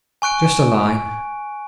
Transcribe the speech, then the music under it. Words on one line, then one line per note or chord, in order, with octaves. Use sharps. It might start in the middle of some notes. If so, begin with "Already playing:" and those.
Just a line.
G#5 C#6 F#6 D7